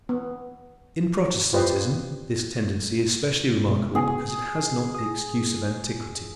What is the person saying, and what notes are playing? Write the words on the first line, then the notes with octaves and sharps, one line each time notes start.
In Protestantism this tendency is specially remarkable because it has not the excuse of antiquity.
B3
F4 G4 B4 C5 D5 D#5
B2 G#3
C#3 B3 G#4
D#6 A#6